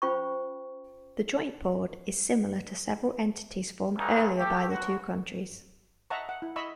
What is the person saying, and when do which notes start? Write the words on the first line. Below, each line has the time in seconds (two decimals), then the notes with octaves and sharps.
The joint board is similar to several entities formed earlier by the two countries.
0.02 C#4 F4 C5 G5 B5 C#6
3.97 G2 D3 E3 C#4 D#4
4.37 A3 G4
4.69 B1 F#4
6.10 D#5 E5 F#5 A5 A#5 C#6
6.29 F#5
6.42 E4
6.56 D#5 E5 B5 C#6 E6